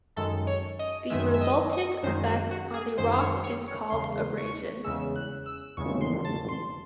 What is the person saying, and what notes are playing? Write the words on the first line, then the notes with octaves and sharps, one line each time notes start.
The resultant effect on the rock is called abrasion.
F#2 D#3 G#3 A4
C#5
D#5
F#2 D#3 G#3 E5
E5
D#5
D#5
F#2 D#3 G#3 C5
F#4
F#4
G#4
F#2 D#3 G#3 C5
C5
C#5
C#5
C#5
E2 C#3 G#3 C6
C#6
E2 C#3 G#3 E6
F#6
E6
E2 C#3 G#3 C#6
C6
A5
C6